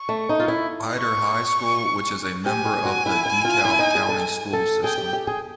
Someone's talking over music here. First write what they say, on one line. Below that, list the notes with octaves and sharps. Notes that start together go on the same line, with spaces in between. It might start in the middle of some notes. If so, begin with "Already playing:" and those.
Ider High School, which is a member of the DeKalb County School System.
Already playing: C#6
A3
D#4
F4
E4
C#6
G4 G#5
G#4
F#4
E4
E4
F4
E4
D#4
G#4
A4
A4
G#4 G5
G4
G4
G#4